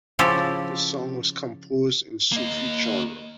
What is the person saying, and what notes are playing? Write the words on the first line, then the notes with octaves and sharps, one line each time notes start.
The song was composed in Sufi genre.
C#3 F3 E4 G4 A4
A#3 D#5